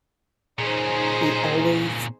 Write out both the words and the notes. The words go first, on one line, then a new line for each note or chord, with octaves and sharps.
we always,
A#2 C#4 D#4 G#4 C5